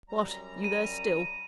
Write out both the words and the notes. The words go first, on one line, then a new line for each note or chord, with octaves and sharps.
'What! you there still!'
F#2 G3 A#5
D#7